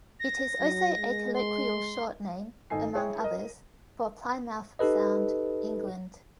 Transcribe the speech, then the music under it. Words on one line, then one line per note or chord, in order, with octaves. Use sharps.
It is also a colloquial short name, among others, for Plymouth Sound, England.
A#6
F#3
G#3
C6
G#1 D#4 A4 G#5 C7
E4 G#4 C#5 G5
A#4 D#5
D#4 G4 A4 B4 D#5